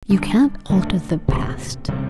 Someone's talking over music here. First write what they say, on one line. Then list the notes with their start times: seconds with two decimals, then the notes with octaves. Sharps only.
You can't alter the past.
0.10 D3 G3 D4
0.69 D3 A3 D4
1.28 B2 A3 C4
1.88 C3 G3 C4